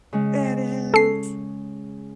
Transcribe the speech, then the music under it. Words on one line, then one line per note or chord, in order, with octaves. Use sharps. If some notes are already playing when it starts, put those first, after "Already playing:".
It is.
C#3 G#3
C#4 A4 C7